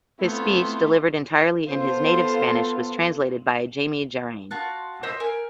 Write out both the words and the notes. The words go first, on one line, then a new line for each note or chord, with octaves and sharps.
His speech, delivered entirely in his native Spanish, was translated by Jaime Jarrin.
A3 B3 C4 E4 F4
B3 F4 A4 C5
F4 F#4 A5 F#6
C5 D#5 E5 E6
A#4 G#5